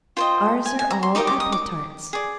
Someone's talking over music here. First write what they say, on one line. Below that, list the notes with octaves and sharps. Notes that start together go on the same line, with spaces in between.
Ours are all apple-tarts.
F4 C5 D#5 G5
G#5
G#5
A#5
C6
D#4 G4 A#4 D#5 D6
D6
D#6
D6
G#4 D5